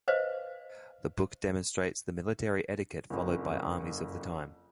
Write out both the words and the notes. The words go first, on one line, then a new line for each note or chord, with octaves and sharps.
The book demonstrates the military etiquette followed by armies of the time.
B4 C5 D#5 F5
F#1 F2